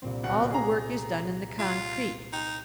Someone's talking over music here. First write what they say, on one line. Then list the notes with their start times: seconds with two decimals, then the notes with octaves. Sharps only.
All the work is done in the concrete.
0.02 C2 A#2 C4
0.24 D1 F#5
0.51 G#4 G5 A#5 D6
1.59 F4
2.33 D#4 G5